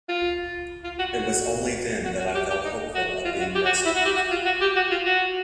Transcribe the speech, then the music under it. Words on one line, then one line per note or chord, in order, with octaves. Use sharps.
It was only then that I felt hopeful of being rescued.
F4
F4
F#4
F#4
F#4
F#4
G4
G4
D#4
F#4
F4
F#4
G4
F#4
E4
F#4
G4
F#4
F4
F#4
G4
F#4
F4
F#4